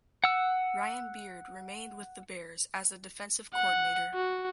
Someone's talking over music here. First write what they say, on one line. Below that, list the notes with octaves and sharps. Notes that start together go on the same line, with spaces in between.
Ryan Beard remained with the Bears as the defensive coordinator.
F#5 E6
F#5
F#4